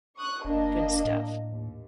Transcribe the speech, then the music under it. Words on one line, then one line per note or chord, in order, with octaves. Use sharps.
Good stuff.
C#6 D#6 F#6
F#1 A#3 D4 D#5
A2
D#2